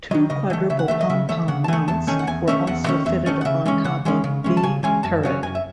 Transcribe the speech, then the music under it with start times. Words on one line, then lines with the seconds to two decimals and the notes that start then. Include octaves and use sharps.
Two quadruple "pom-pom" mounts were also fitted on top of 'B' turret.
0.11 D#3 F#3 D#5
0.30 C#3 D#5
0.50 E3 A3
0.70 C#3 E5
0.79 F#5
0.88 E3 A3 E5
1.01 D#5
1.09 C#3 E5
1.29 E3 A3 E5
1.48 C#3 F#5
1.64 A5
1.68 E3 A3 G#5
1.88 E2 A5
2.07 D#3 A3 C#4 G#5
2.19 F#5
2.27 E2 G#5
2.48 D#3 A3 C#4 E5
2.67 E2 F#5
2.86 D#3 A3 C#4
3.06 E2 E5
3.26 D#3 A3 C#4 D#5
3.41 F#5
3.45 C#3 E5
3.66 E3 G#3 C#4
3.84 C#3 F#5
4.05 E3 G#3 C#4
4.24 C#3
4.44 E3 G#3 C#4
4.57 A5
4.63 C#3 G#5
4.83 E3 G#3 C#4 G#5
5.03 F#2 A5
5.23 C#3 F#3 C#4
5.43 F#2 G#5
5.55 E5